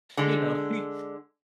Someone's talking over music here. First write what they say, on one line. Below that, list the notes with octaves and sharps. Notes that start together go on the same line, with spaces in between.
you know, he
D3 G#3